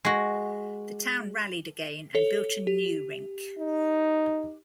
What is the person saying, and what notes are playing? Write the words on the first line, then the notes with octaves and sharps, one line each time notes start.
The town rallied again and built a new rink.
G#3 F#4
A4 C#5
G4
D#4